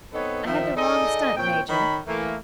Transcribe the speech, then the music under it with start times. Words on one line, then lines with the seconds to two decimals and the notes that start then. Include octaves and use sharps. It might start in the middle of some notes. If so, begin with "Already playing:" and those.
I had the wrong stunt, Major.
0.14 B3 C4 D#4 A4 B4 C#5
0.46 D#3 F3 E5
0.76 D#4 G#4 A4 D5 D#5
1.37 A#2 C4 C#5 G5
1.69 D#3 D#4 C#5 B5
2.07 E3 A3 A#3